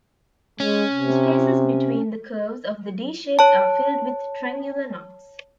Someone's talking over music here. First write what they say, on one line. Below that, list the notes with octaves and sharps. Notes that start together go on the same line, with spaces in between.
The spaces between the curves of the "D" shapes are filled with triangular knots.
G#3 C#4
C3
C#5 A5